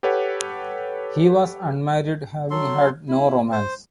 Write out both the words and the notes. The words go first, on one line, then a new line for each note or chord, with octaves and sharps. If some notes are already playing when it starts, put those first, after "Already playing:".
He was unmarried having had no romance.
G4 A4 B4 C#5 F#5
F#3 A4 C6
E4
C5